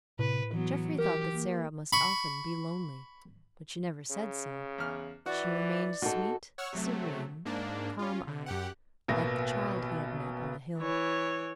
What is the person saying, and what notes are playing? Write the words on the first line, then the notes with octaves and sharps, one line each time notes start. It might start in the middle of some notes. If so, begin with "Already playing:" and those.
Jeffrey thought that Sara must often be lonely, but she never said so; she remained sweet, serene, calm-eyed, like the child he had met on the hill.
A2 C3 B4
E3 F#3 B3
G4 A#4
A#3
B5 C#6
C#3
E2 F6
E3 F#4 D5
G#2 F#4 A4
C#5 F#5 C#6 E6 F6
C3 F#3 A3
G#2 A#3 D4
C#4 F4
D3
F#2 G4 F#5
A1 B2 A#3 A#6
E3 C#5